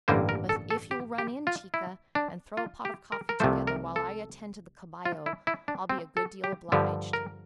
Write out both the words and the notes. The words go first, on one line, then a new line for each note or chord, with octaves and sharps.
"But if you'll run in, /chica/, and throw a pot of coffee together while I attend to the /caballo/, I'll be a good deal obliged."
A1 G2 D3 G3 A#3 C5
A#4
A4
A4
G4
G4
F4
E4
D4
F4
G4
A#4
A#4
C2 C3 F3 A3 C5
A#4
A4
F4
E4
E4
D4
C4
A4
G4
G2 D3 F3 G4
A#4